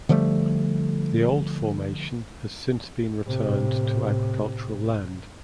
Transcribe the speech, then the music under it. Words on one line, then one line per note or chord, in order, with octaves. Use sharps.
The old formation has since been returned to agricultural land.
D3 F3 G3 A3
A2 C3